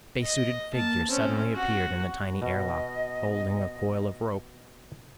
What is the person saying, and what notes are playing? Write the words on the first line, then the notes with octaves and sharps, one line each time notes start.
A spacesuited figure suddenly appeared in the tiny airlock, holding a coil of rope.
D#5
A#3 A5
C4 C#4
F#4
B2 D#5